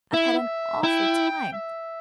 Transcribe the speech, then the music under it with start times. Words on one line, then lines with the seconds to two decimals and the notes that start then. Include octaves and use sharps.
I've had an awful time.
0.13 E4 E5
0.83 E4 G5
1.53 E5